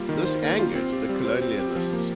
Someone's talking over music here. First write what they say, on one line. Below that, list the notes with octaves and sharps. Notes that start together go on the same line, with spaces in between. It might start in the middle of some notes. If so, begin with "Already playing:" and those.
This angered the colonists.
Already playing: G3 A#3 F4
D#3
C5
A#3
F4
C4
G4
G3
C5
C4
G4
F3
A#3